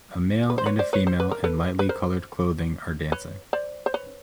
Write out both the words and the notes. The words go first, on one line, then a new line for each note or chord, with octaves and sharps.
A male and a female in lightly colored clothing are dancing.
B4
C5
B4 C#5
C5 D5
B4 C#5
C5
B4
A#4
A4 B4
B4
A#4 C5
B4 C#5
C5 D5
C5
B4 C#5